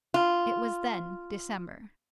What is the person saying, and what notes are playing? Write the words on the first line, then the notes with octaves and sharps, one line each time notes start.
It was then December.
F4